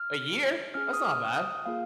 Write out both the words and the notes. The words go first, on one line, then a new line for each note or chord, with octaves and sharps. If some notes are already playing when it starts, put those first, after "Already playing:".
a year. That's not bad.
Already playing: F6
C#4 G#4 F6
D#6
F6
D#6
A#3 F4 G#4 F5